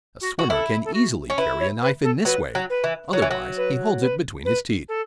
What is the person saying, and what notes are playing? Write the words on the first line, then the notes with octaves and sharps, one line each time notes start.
A swimmer can easily carry a knife in this way; otherwise he holds it between his teeth.
F#4
F#4
E4 A4
A4
F#4
C#4
E4 B4
C#5
B4
A4
F#3 B4
F#3
B4
E3
F#3 C#5
E3
F#3
B4
B4
B4
A4